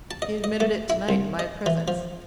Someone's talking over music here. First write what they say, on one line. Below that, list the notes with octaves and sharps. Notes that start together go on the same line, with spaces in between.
He admitted it tonight in my presence.
A5
D#5
D#5
A3
E4
C2
D#5
E3
F3